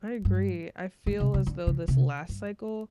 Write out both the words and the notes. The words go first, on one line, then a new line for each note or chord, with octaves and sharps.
I agree. I feel as though this last cycle
G2
G#2
C3
C#3
D3
C#3
C3
G2